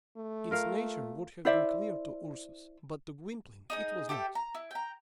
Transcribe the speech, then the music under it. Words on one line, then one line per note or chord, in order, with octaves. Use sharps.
Its nature would have been clear to Ursus; but to Gwynplaine it was not.
A3
F4 A#4 F5
E4 C5 D5 E5
D#4 G#4 D#5
G4 A4 E5 G5
A#5
E4
G5 A#5